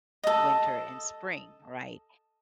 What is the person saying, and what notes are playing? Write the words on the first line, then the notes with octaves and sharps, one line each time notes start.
winter and spring, right?
A4 D#5